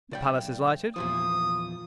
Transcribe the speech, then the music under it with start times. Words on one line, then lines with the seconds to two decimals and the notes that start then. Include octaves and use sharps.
The palace is lighted.
0.12 B1 D5 G5
0.96 E2 A#2 F3 D#6